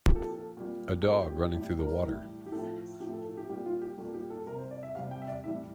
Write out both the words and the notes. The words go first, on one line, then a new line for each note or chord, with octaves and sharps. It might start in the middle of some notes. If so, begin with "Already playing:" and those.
A dog running through the water.
A#2 F3 G4
A4
G4
A4
A#2 G3
A4
A#2 G3 G4
G4
G4
A2 E3 G3 G4
A#4
A2 E3 G3
G4
A2 F3 A4
A2 F3 G4
A4
A4
G4
A#2 G3 G4
F4
G4
A#2 G3 A4
G4
A4
C3 G3 A#4
C5
D5
E5
C3 G3 F5
G5
E5
D5
A2 E3 G3 E5